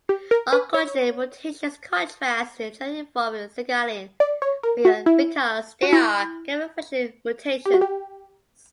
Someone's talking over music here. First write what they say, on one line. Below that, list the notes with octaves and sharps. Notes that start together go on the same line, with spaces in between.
Oncogene mutations, in contrast, generally involve a single allele because they are gain-of-function mutations.
G4
A#4
B4
C#5
D5
C#5
A#4
F#4
E4
F#4
E4
G4
F#4
G4